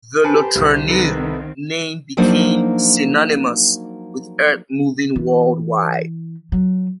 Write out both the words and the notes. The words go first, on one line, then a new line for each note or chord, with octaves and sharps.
The LeTourneau name became synonymous with earthmoving worldwide.
G4 B4 C5 G#5 A5
C2
D#3 C4 D#4 A4 B4
F3 F#3 A#3 D4 D#4 C5
E3
F#3